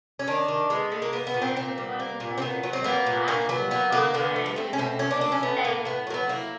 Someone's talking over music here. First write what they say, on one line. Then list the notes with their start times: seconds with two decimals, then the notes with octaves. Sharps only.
At the same recording session they waxed "Barbara-Ann" in three takes.
0.19 C#4
0.27 D#3 D4
0.48 D#3
0.70 G#3 B3
0.92 G#3
1.02 A#3
1.13 A#3 B3
1.27 B3
1.34 A#2
1.42 C4
1.56 A#2 C4
1.78 G3
2.00 A#3
2.20 A#2
2.38 C4
2.42 A#2 B3
2.63 F#3
2.73 C4
2.84 A#3 B3
3.06 A#2
3.28 A#2 A#3
3.49 F#3 B3
3.71 A#3 B3
3.92 D3 A#3
4.14 D3 B3
4.36 F3
4.46 B3
4.56 A3 C4
4.73 C#4
4.78 B2 C4
4.99 B2 C#4
5.11 D4
5.21 F#3 D4
5.32 C#4
5.43 A3 B3
5.64 A2 A#3
5.85 A2 B3
6.07 F#3 A#3
6.14 B3
6.29 A#3 E4